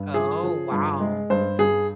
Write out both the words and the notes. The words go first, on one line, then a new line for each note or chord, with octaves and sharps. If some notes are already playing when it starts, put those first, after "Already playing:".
Oh, wow.
Already playing: G2
F3 G#4
F3
G2
G#3
G2 C5
G2 G#4